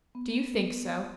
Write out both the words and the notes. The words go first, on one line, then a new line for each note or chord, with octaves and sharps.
"Do you think so?"
B3